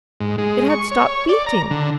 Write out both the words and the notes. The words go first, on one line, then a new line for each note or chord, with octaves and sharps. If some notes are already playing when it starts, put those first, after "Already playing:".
It had stopped beating.
G#2
G#3
C#6
C#5
D5
A#5
D3